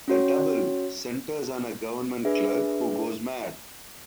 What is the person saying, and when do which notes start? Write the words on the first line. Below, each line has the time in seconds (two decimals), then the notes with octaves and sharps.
"The Double" centers on a government clerk who goes mad.
0.08 C#4 F#4 C#5
2.25 D4 G#4 B4 E5